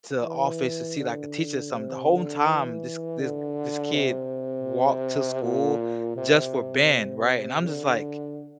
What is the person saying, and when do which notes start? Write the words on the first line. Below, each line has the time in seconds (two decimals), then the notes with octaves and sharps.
to office to see, like, a teacher or something. The home time, this this this kid walked to school just for band, right? And I'm just like
0.22 E3
0.97 D3
1.71 C3
2.09 D3
2.45 E3
3.20 D3
3.94 C3
5.42 A#2
6.17 C3
7.65 D3